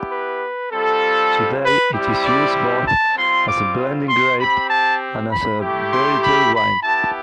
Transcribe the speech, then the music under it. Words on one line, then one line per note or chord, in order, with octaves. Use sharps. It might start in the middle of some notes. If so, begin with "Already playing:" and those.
Today it is used both as a blending grape and as a varietal wine.
Already playing: B3 E4 G4
B4
G3 C4 F4 A4
B4
G3 C4 E4 G4
D5
A5
G3 C4 F4 C6
D6
C6
C4 G4 B5
A5
B5
A3 E4 G4
C6
B5
B5
B3 E4 G4 A5